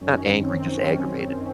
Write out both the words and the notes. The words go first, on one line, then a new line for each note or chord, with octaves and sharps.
not angry, just aggravated.
F#2 D#3 C#4
C4
C#4